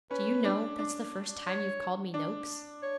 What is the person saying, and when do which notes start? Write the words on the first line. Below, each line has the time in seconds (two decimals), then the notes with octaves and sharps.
'Do you know, that's the first time you've called me "Noakes"?'
0.11 C#4 B4
0.44 D4
0.79 D4
1.46 C#5
2.14 D4
2.82 C#5